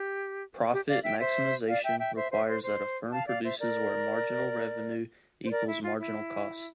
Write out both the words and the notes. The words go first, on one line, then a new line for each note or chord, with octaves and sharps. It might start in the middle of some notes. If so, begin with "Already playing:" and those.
Profit maximization requires that a firm produces where marginal revenue equals marginal costs.
Already playing: G4
G4
D5 F5
E5 G5
C5 E5
D5 F5
E5 G5
E5 G5
C5 E5
C5 E5
C5
C5
F5 A5
D5 F5
C5 E5
A#4 D5
C5
A#4 D5
E4
F4
E4